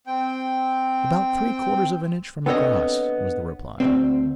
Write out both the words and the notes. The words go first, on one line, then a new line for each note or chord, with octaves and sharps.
"About three-quarters of an inch from the cross," was the reply.
C4 G5
B3 C4 D4 A4 C#5 D#5
D2 G2 C4